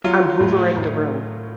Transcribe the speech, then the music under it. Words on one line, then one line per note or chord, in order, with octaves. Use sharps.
I'm hoovering the room.
F#3 F4
A2
A2